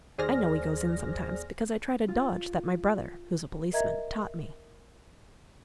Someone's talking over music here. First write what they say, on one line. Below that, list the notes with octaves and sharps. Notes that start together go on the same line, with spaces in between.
I know he goes in sometimes because I tried a dodge that my brother--who's a policeman--taught me.
D#2 G#4 C5 D5 F6 A#6
F4
A#4 D#5 E5 A#5 G#6